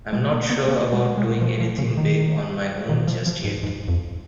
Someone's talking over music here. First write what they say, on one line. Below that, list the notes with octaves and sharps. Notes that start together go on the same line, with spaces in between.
I'm not sure about doing anything big on my own just yet.
G#3
A#3
B3
A#3
G#3
G#3
F3
F3
C#3
D#3
D#3
F3
F3
G#2
G#2
F2